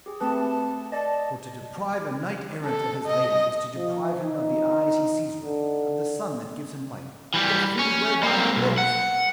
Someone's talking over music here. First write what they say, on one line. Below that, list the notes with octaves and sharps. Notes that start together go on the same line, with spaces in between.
For to deprive a knight-errant of his lady is to deprive him of the eyes he sees with, of the sun that gives him light, of the food whereby he lives.
G4 G#4
A3 C4 B4 A5
D5 D#5 A5
A4
D#5
F3
D#4
D3
E3 G3
C#4
A#3 C4
B1
F#5